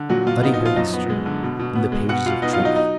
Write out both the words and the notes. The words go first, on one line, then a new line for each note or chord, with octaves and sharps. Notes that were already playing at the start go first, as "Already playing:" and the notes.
Study her history in the pages of truth.
Already playing: D3
A#2 F#3 F#4
A#2 F4
B3 D#4
D#4
F3
F4
F#2 D#4 D#5
B3
G#3
D3
B2
B2
B3
G#3
B2 F#4 F#5
B2 F4 F5
B3 D#4 D#5
F4 F5
F#3
D#4 D#5
D#4 D#5